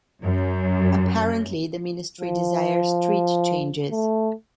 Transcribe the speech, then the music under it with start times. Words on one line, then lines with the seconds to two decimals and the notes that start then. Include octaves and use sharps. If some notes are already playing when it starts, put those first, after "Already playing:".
Apparently, the ministry desires treaty changes.
0.22 F#2
2.21 F3
3.91 A3